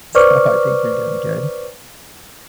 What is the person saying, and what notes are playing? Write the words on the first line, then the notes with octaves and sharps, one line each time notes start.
so I think you're doing good,
B4 C5 D5 C#6 D6 F6